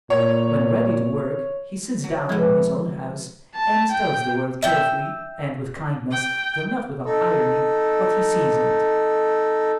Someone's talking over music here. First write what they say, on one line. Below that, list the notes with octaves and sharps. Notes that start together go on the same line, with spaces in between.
When ready to work he sits down in his own house, and tells the world carefully and with kindness, though not without irony, what he sees in it.
A#2 C#5
F#3
B2 F3 G#3 E4 G#4
A5
G5
E5 G5
G5
D#4 A4